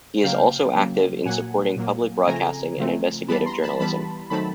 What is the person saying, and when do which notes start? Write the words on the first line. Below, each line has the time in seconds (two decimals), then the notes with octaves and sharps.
He is also active in supporting public broadcasting and investigative journalism.
0.23 C#3 F#3 A#3 F5 G5
0.75 C#3 F#3 A#3
1.25 A#2 F#3 A#3 F#5 G#5
1.77 A#2 F#3 A#3
2.27 C#3 F3 A3 C4 G#5 A#5
2.78 C#3 F3 A3 C4
3.28 E3 G3 B3 A5 B5
3.46 A#5 C6
3.62 A5 B5
3.80 E3 G3 B3 A5 B5
4.30 D#3 F#3 A3 C4 A5 B5